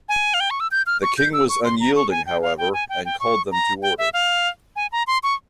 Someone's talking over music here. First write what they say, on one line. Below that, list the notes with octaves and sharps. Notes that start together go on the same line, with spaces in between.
The King was unyielding, however, and called them to order.
G#5
F5
G5
C#6
E6
G6
F6
C#6
G6
E6
C#6
C6
A#5
C#6
G#5
G5
F5
G5
G#5
G5
G5
C#6
A#5
G5
E5
F5
G#5
A#5
C6
C#6